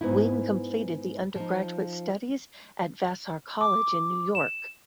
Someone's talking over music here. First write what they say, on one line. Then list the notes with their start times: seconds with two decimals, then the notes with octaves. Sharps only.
Wing completed his undergraduate studies at Vassar College in New York.
0.01 G#2 B3 D#4 E4
1.36 F3 D#4
3.61 D6
4.35 E7